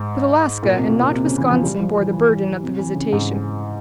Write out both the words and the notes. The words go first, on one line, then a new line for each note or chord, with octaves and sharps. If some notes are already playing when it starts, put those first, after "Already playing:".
But Alaska and not Wisconsin bore the burden of the visitation.
Already playing: G#2
A#2
C3
A#2
A#2
C3
C#3
E3
F3
G3
F3
E3
E3
C3
E3
C#3
G#2